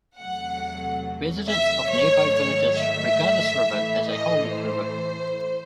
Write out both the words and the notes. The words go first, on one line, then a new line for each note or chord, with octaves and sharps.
Residents of nearby villages regard this river as a holy river.
E2 C3 F#3 A3 F#5
E5
G#2 D#3 F#3 A3 C#5
C#5
E5
A2 E3 A3
D#5
C5